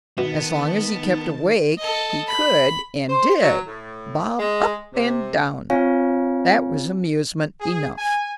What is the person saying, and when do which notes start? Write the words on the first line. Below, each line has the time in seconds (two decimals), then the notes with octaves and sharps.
As long as he kept awake, he could, and did, bob up and down. That was amusement enough.
0.18 B2 D#3 B3 A5
1.78 A4 D#5
2.27 B5
3.09 C5
3.42 F#3
3.67 A2
4.39 G#3
4.94 C3
5.70 C4 F4 C#5 F5 G#5
7.60 G#4
7.97 G#5